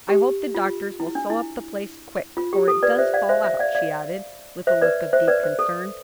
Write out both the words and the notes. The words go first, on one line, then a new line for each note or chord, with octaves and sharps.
"I hope the doctors will sew up the place quick 'fore it does fall out," she added, with a look of deep concern.
G4
F4
E4
D4
E4
F4
G4
A4
B4 D5
C5 E5
D5 F5
C5 E5
C5 E5
D5 F5
D5 F5
C5 E5
B4 D5
C5 E5
B4 D5
C5
A4